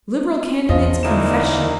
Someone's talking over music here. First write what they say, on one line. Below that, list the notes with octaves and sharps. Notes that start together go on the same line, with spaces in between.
Liberal Candidate's Confession.
E2 F3 F4 D#5
D2 A#2 A#3 D#4 E4 E7